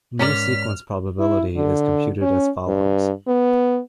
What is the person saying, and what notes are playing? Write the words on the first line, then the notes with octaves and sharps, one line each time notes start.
New sequence probability is computed as follows.
G#2 C#4 A#4 D5 F6 B6
E4
D3
C#4
G2
B3